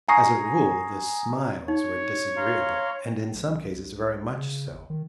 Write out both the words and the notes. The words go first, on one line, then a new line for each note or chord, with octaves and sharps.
As a rule the smiles were disagreeable, and in some cases very much so.
G#5 A#5 C#6 D#6 A#6 C7
D#4 C#5
F5 A#5 C6
B1
C2
C#3
G1
D#3